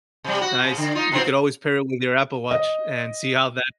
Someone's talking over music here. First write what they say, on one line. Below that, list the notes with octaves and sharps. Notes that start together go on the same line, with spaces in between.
Nice. You could always pair it with your Apple Watch and see how that
C3 G3
F#4
C3
D3
D#4 F4
B2 C4 F4
D#5